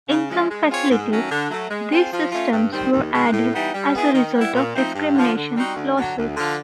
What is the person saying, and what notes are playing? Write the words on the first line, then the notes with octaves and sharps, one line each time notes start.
In some facilities, these systems were added as a result of discrimination lawsuits.
C#3
F3 G#3 C#4 E4
G#3
C4 F4 G#4 C#5
G#2
D#3 F#3 A3 C#4
D3
F#3 A3
G#3
C4 F4 G#4 C5
F3
A3 C#4 F4
G2
D#3 G3 C4
D#2
D#3 G#3
A2
E3 G3 B3 D#4
G3
B3 E4 G#4
D#3
G3 B3 E4
A#2
F3 A3 C4 D#4
G2
D3 F3
D3
G3 C4 D#4 F#4
D2
D3 F#3
D2
D3 F3